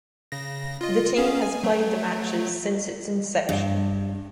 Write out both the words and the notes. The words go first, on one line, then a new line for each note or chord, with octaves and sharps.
The team has played the matches since its inception.
C#3 A#6
F4 D#5
C#4 G#4 F5
G#5
F#3 A3
G2